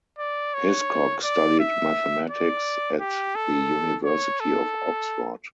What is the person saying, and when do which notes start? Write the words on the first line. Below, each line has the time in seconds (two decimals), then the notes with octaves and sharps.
Hiscock studied mathematics at the University of Oxford.
0.19 D5
0.54 C#5
1.25 D5
1.60 E5
2.30 D5
3.00 G4
3.35 A4
4.05 C#5
4.40 A4